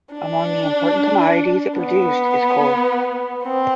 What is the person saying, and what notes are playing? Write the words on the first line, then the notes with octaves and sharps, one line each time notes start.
Among the important commodities it produced is coal.
D4
B3
C4